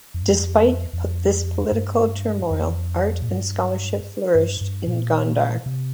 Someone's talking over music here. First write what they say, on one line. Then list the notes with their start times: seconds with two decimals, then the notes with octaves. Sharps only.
Despite this political turmoil, art and scholarship flourished in Gondar.
0.14 F2
0.22 G2
0.31 F2
0.93 F2
1.72 G2
2.50 F2
3.22 A#2
3.29 G2
4.35 G2
4.61 G2
4.87 A#2
5.66 C3